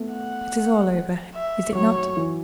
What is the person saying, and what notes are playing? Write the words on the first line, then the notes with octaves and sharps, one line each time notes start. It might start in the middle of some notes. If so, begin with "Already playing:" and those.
It is all over, is it not?
Already playing: A3 B3
F#5
E5
F#3 C#5
F#3
E3